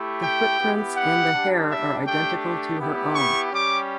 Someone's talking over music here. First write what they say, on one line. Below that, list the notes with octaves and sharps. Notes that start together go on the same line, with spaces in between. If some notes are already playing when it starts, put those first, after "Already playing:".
The footprints and the hair are identical to her own.
Already playing: A3 E4 G4
G5
B3 E4 G4
F#5
G3 D4 G4
E5
A3 D4 G4 G5
B3 E4 G4
C#6
G3 C#4 G4 D6